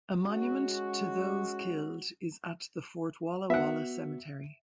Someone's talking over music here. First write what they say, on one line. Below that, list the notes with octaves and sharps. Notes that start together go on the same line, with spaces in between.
A monument to those killed is at the Fort Walla Walla Cemetery.
G#3 C#4 F#4
B3 F#4 E5 F#5